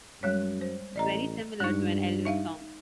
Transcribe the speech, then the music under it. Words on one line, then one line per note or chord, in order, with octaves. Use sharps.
It's very similar to an Elvis song.
F#2 G3 G#3 C#5
C5
A1 D5 D#5 A#5
G2 G#3 D#4
D#4 E5 F5